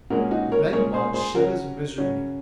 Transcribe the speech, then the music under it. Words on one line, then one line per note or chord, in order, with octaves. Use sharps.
The blancmange shivers miserably.
A#2 G#3 C#4 F#4 A#4
D#4 F#4
A#4 C#5
A#2 G#3 C#4 A#4 C#5
G#4 C5
G#4 C5
C#3 F#3 C#4 F#4 A#4
C#3 F#3 C#4